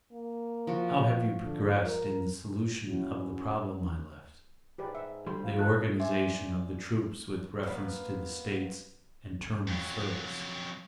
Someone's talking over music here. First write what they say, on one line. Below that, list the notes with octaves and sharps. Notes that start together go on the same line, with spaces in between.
How have you progressed in the solution of the problem I left--the organization of the troops with reference to the States, and term of service?
A#3
F3 F#4
D3
A#4
C#4 E4 F#4
G#2 G4 B4 D5
E5
D2 G3 C6
F4
G#3 A4 A5 D#6 F#6
C5 D5 E5 G#5
A#3 B3 F4 B4
F2 F#3